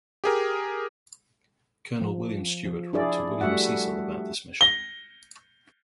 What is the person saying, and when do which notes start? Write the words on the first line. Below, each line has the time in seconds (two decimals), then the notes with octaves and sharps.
Colonel William Stewart wrote to William Cecil about this mission.
0.24 G4 G#4 A#4
2.01 F3
2.65 F3
2.93 D4 E4 G#4 D5
3.41 G3 A3 F#4 E5 F#5
4.61 A#6 G7